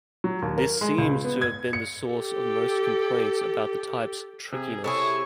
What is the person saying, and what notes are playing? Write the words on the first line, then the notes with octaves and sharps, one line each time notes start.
This seems to have been the source of most complaints about the type's "trickiness".
F#3
D#2
A#4
G#3
C#2
B3
G#6
C#7
G4 A4
C3 G#4
C3 E4 G#4 A4 C#5 C#6